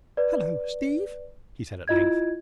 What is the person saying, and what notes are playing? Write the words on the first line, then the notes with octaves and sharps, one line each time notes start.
"Hello, Steve," he said at length.
B4 D5
E4 F4 D#5 G#6